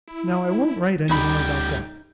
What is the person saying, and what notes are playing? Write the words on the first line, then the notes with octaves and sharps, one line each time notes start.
Now I won't write any more about that.
E4
D2 G3 C#4 D#4 G5 B5